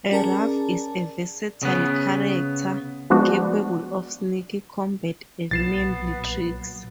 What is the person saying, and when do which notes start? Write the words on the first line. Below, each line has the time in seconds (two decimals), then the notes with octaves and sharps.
A rogue is a versatile character, capable of sneaky combat and nimble tricks.
0.11 C#4 G#4 A#4 D5 A5
1.63 C#3 B3
3.10 F3 G#3 B3 D4 F#4
5.51 B1 A#2 F#3 B3 A6 C7 E7